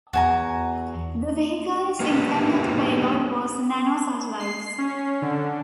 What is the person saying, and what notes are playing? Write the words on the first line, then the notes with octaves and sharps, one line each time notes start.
The vehicle's intended payload was nano-satellites.
E2 F#4 G#5 A#5
A#3 B3 D4 D#4 G4
C7
C#4
D3